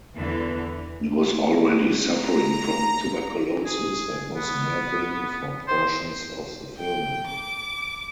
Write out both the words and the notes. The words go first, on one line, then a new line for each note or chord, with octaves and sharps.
He was already suffering from tuberculosis and was bedridden for portions of the filming.
E2 D3 E3 B3
A#5
G#4
B3
C5
G5
D6